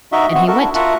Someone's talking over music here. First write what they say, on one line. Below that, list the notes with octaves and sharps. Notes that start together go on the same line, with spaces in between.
And he went.
D#4 F#4 D#5 E5
B3 C4 F#4
F#4 A4 A#4 A5
D4 E4
F4 F#4 A#4 E5 F#5 A5